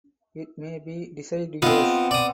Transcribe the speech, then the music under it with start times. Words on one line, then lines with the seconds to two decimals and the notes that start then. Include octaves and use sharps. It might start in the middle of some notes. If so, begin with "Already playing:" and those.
It may be deciduous.
1.62 B3 C4 F4 D#5
2.11 D5 D#6